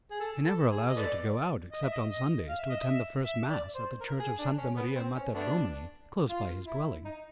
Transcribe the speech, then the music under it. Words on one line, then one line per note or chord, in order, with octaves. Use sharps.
He never allows her to go out except on Sundays to attend the first mass at the Church of Santa Maria Mater Domini, close by his dwelling.
G#4
A4
A4
G#4
D#5
A4 B4 D5
D#5
E5
D#5
D#5
F5
E5
D#5
E5
E5
D5
C5
A#4
G#4
D4
C#4
B3
C4
C#4
A3 B3 D4
F4
E4
D#4